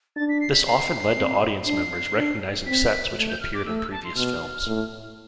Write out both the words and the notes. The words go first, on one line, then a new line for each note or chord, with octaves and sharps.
This often led to audience members recognising sets which had appeared in previous films.
D4 A6
B6
C7
B6
C7
C4
D4 C7
D4
C4 B6
A3
G6
F6
D6
A3 E6
E6
A5
C6
B2 F6
A2